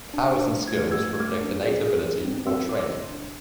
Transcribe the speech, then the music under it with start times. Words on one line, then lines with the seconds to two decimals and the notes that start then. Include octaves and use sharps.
Powers and Skills reflect innate ability or training.
0.14 D4
0.35 D4
0.56 A3
0.68 G#6
0.78 A3 F6
0.91 E6 G#6
0.99 A3
1.11 G#6
1.20 A3 D6 F6
1.41 D4
1.62 G#4
1.83 G#4
2.05 G#4
2.25 C4
2.47 C4 C6 E6
2.67 E4 D6
2.78 C6 E6
2.88 E4
3.10 D4